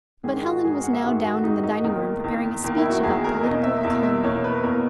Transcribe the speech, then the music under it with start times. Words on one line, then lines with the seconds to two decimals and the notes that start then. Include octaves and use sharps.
But Helen was now down in the dining-room preparing a speech about political economy.
0.24 G#2 D#3 G#3 G#4
0.43 F#4
0.64 G#2 D#3 G#3 G#4
0.74 A#4
0.83 F#5
0.93 E5
1.03 G#2 D#3 G#3 F#4
1.24 F#4
1.44 G#2 D#3 G#3 D#4
1.64 D#4
1.84 E2 D#3 A#3 D#4
2.24 E2 D#3 A#3
2.64 E2 D#3 A#3
2.78 E4
2.90 F#4
3.03 E2 D#3 A#3 G#4
3.24 A#4
3.43 E2 B2 A#3 D#5
3.63 E5
3.83 E2 B2 A#3 E5
4.03 E5
4.23 E2 B2 A#3 C#5
4.44 B4
4.63 E2 B2 A#3 A#4